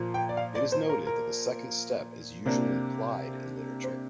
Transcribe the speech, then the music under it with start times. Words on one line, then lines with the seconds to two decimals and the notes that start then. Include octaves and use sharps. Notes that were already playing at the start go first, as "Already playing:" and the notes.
It is noted that the second step is usually implied in literature.
Already playing: A#2 F3 A#3
0.14 G5
0.29 D5
0.37 F5
0.55 D5
0.72 C5
0.89 A#4
1.07 A#4
2.45 C3 A#3 D4
3.84 C5